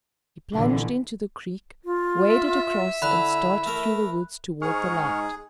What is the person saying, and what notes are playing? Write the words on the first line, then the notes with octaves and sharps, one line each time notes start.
He plunged into the creek, waded across and started through the woods toward the light.
A#1 D3 E3
F4
E5
D3 E4 B5 F#6
A3 A#4
G#2 G#4 C#6 F6